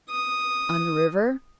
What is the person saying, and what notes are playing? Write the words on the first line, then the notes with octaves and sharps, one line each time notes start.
"On the river?"
D#6